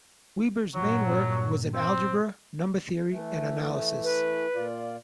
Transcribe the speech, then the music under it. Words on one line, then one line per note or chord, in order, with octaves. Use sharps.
Weber's main work was in algebra, number theory, and analysis.
G2 A#2 F#3
C4
E3 A3
B4
A#2 F4 D5